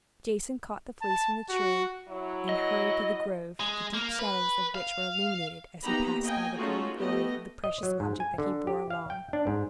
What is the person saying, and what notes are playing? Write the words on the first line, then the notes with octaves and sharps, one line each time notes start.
Jason caught the fleece from the tree, and hurried through the grove, the deep shadows of which were illuminated as he passed by the golden glory of the precious object that he bore along.
A5
F#4
F#3 E4
D#5
G#3
A#3
B4
F5
A#3 B3 D#4 G4 A#5 B5
A#3 D#5 G5 G#5
A3 C#4 D#4 F4 F#4 G#4
A3 B3 G4 D#5
D#5
F#3
G#2
G#5
D3
G4
F5
G5
D4
G#2